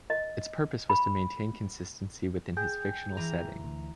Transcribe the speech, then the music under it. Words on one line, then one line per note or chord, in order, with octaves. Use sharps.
Its purpose was to maintain consistency within his fictional setting.
D#5
B5
G#4 G5 G6
E3 A#5
D2